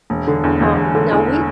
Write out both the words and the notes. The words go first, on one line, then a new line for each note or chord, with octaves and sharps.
um, now we t
E1
D3
E2
E1
E1
D3
E2